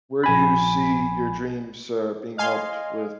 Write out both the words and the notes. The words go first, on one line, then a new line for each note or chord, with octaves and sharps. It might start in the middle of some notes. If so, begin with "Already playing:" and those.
where do you see your dreams, uh, being helped with
A#1 G#5 B5
D#5 F5 G#5 C6